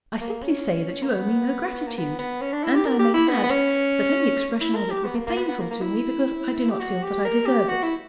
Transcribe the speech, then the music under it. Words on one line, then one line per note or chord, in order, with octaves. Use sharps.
'I simply say, that you owe me no gratitude; and I may add, that any expression of it will be painful to me, because I do not feel that I deserve it.
A#3
C#4
A#3
B3
A#3
B3
B3
C#4
D4
E4
G4
A#4
G4
E4
B3
B3
C#4
E4
A#4
G4
B3
A#3
A#3
B3
B3
A#3
A#3
E4
G4
F#4
G4
A#4
G4
F#4
E4